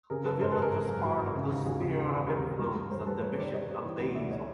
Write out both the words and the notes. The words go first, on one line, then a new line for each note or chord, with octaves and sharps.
The village was part of the sphere of influence of the bishop of Basel.
C#3 G#4 A#4
F#2 A4 B4
G#1 A#4 C5
A4 B4
G#1 G#4 A#4
G#1
F#2
G#1 E4 F#4
G#1
C#3
D#2
D#2 F#4 G#4
C#3
E1
D#2
D#2 G#4 A#4
E1
G2
G2
G2 A#4 C5
G2 A4 B4
G2 B4 C#5
D#3 C5 D5
G3 C#5 D#5
G3
E3
D2
D2 D5 E5
C#5 D#5